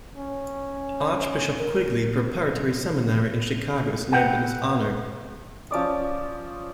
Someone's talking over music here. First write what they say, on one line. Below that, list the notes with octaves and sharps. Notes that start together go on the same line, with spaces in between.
Archbishop Quigley Preparatory Seminary in Chicago is named in his honor.
C#4
A#4
B4 F#5 G5
F3 C#4 D5 D#6